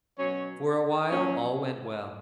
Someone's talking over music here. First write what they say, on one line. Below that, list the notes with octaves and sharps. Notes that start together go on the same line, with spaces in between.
For a while all went well.
B2 F#3 C#4 C#5
A#2 F#3 C#4 C#5